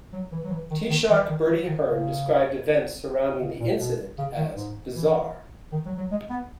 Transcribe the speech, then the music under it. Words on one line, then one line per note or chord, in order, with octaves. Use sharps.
Taoiseach Bertie Ahern described events surrounding the incident as "bizarre".
F#3
E3
F#3
E3
D#3
D#3
E3
D#3
E3
D#3
C#3
C#3
A#2
B2
C#3
D#3
G#2
E3
D#3
F#3
F#3
G#3
B3